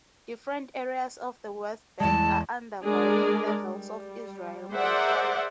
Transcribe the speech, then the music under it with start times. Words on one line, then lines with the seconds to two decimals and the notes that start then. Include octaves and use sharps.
Different areas of the West Bank are under varying levels of Israeli control.
2.00 E2 G#3 A5
2.82 G#3 D4 G#4 A#4 D5
3.66 G3
4.73 G#4 A#4 C5 D5 E5 F#5